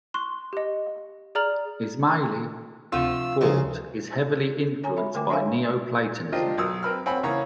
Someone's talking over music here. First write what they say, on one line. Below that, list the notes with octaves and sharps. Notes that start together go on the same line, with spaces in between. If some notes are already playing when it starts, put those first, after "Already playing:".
Ismaili thought is heavily influenced by neoplatonism.
C6 C#6 F#6
G4 D#5
G#4 D5 A#5 F6 F#7
D2 C3 F3 A3 C4 F4 E6
C#3 F3 F#3 G#4
C#5 G#5 A#5
E5 B5
D3 A3 A#4 G5 G#5 D6
D4 C#5 E5 F5 G#5
D4 F4 G4 A#4 C5 D#5
B1 F#3 A#4 D#6 E6
C4 A#4 B4 B5 E6 F6
C4 C#5 F#5 G#5 B5
C#3 E3 A#3 C#5 F#5 A#5